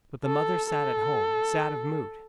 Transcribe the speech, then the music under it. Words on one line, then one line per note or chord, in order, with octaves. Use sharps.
But the mother sat at home, sad of mood.
A4
A4